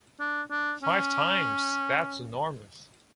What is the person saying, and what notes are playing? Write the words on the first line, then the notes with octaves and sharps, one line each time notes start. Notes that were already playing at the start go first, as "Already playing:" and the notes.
Five times? That’s enormous!
D4
D4
C#4